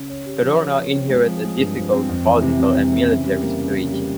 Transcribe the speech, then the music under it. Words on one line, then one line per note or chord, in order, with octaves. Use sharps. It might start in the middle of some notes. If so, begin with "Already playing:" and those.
Cadorna inherited a difficult political and military situation.
Already playing: C#3
C#5
G4
F3
C#5
C#5
C4
G#3
F3
G#3
G2
F3
C4
F2
E3
C3
C3
C3
E3
C#3
G3
A#3
C#3
C#3
G3